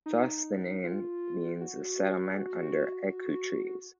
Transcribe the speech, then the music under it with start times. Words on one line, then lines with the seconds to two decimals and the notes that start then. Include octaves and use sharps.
Thus, the name means a settlement under aluku trees.
0.06 D#4
0.84 F4
1.61 F#4
2.34 G#4
2.37 F#4